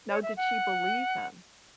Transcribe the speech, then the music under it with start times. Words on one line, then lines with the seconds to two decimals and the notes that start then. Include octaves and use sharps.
No. Did she believe him?
0.09 C#5
0.23 E5
0.37 F#5